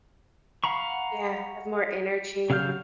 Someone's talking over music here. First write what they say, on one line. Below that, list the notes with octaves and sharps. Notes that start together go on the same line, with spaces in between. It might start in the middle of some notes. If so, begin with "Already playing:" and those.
Yeah, have more energy.
F5 F#5 A#5 B5 C#6
C#3 F#3 F5 F6 G6